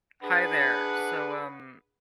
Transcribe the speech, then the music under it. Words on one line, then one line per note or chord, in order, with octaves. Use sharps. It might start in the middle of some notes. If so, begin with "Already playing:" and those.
Hi there. So, um,
D4 G#4 B4 F#5